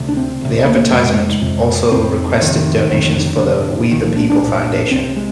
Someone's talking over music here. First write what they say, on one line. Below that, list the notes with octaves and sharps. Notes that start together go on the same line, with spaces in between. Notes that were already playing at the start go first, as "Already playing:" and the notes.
The advertisement also requested donations for the We the People Foundation.
Already playing: D2 C3
D4
C4
D2 C3
A#3
F2 C3 G#3
F2 C3
F2 C3 C4
F2 C3 D#3
F2 C3 D#3
D3
D#3
D3
F2 C3
C2 A#2 D#3
F3
D4
D4
C2 A#2
C2 C3 C4
G#3